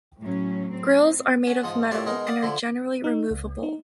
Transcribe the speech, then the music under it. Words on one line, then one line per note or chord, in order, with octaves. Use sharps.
Grills are made of metal and are generally removable.
A2 F#3 C#4
C4
C#4 F#5
G#2 F3 D#6
F4 G4 A#4 C#5 D5 E5
B2 G#3 D#4 A#4
D5 F5 F#5 D#6
D3 F3 E4
D#4
C#2
D#4